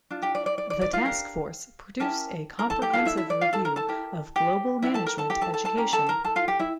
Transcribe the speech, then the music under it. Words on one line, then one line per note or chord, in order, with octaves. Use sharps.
The task force produced a comprehensive review of global management education.
D4 F4
G4 G5
D5
D5
D5
D5
D5
F4 F5
D4 G4 A#4
C#4 E4 G4 A#4 A5
A#4 A#5
A4 A5
G4 G5
D4 F4 A4 F5
E4 E5
E4 E5
D5
F4 F5
A4 A5
A#4 A#5
A4 A5
E4 G4 A#4
G4 G5
D4 E4 G4 A#4 E5
A4 A5
A#4 A#5
A4 A5
G4 G5
A4 A5
A4 A5
A4 A5
C#4 G4 A#4 A#5
A4 A5
A#4 A#5
A4 A5
F4 F5
G4 G5
E4 E5